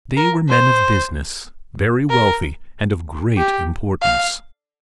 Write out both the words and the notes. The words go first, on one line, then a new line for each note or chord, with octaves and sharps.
They were men of business: very wealthy, and of great importance.
A#4
C5
A#4
G4
F5